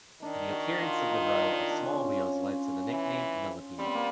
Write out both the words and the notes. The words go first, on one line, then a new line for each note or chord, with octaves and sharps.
The appearance of the row of small wheels led to the nickname "millipede".
D#3 D4
F#4
F4
D#4
D4
D4
C#4
C4
C#4
E3
G3 C4
B3
A#3